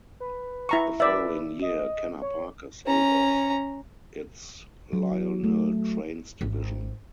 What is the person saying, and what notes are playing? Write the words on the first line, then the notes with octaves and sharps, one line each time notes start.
The following year Kenner Parker sold off its Lionel Trains division.
B4
E4 A#5 C#6
B4 D5 E5
D#5
C#5
C#4 A#5
F#3
A3
G#1